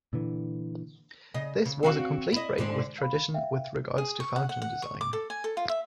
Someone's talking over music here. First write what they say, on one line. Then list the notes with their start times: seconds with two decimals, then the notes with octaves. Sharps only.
This was a complete break with tradition with regards to fountain design.
0.13 A#2 D3 E3
1.34 C#3 D#5
1.65 C#3
1.83 C4 F#4 F5
2.33 E4 D#5
2.58 G#2 D3 C4
2.98 F5 B5
3.34 E5 F5 G5
3.98 G#4
4.20 C#6
4.36 F#5
4.49 F#5
4.62 F#5
4.82 C#6
5.01 D6
5.13 A4
5.30 G#5
5.44 A4
5.57 F4
5.69 E5